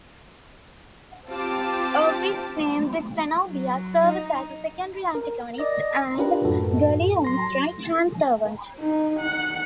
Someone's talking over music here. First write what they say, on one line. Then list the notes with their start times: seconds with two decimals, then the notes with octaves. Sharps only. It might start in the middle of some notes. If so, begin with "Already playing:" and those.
A witch named Xenobia serves as a secondary antagonist and Ghaleon's right hand servant.
1.30 C4 F4 G4 A5 D6
3.47 F#3
4.04 D#4
5.15 A#4
5.58 D5 D#5 A#6
6.18 D4 F4 G4 A#4 B4
6.45 F#2 A2 F#4 A4
7.25 F#3 C6 A#6
8.79 D#4
9.20 F#5